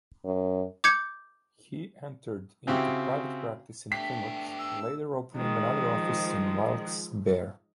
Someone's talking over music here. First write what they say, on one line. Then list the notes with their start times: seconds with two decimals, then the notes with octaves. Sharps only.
He entered into private practice in Plymouth, later opening another office in Wilkes-Barre.
0.25 F#2
0.84 D6 G6 G#6 C#7
2.67 C#3 C4 E4 F#4 G4
3.92 A3 B3 D4 G4 B6
4.59 E6
5.36 D#3 F3 G#3